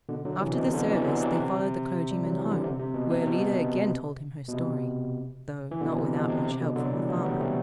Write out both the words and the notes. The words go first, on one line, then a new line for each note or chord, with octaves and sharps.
After the service they followed the clergyman home, where Alida again told him her story, though not without much help from the farmer.
B2 D3
D3 F#3
C3 E3
B2
C3
B2 D3
C3 E3
D3 F#3
C3 E3
C3
G3
F#3
E3
D3
C3
C3
B2
C3
B2
B2
C3
E3
B2 D3
C3
B2
C3
C3
B2 D3
D3 F#3
E3 G3
F#3 A3
G3 B3
A3 C4